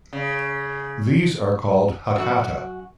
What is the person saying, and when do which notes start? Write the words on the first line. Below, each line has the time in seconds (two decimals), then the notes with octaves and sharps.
These are called Hakata.
0.13 C#3
2.16 F#2 F#4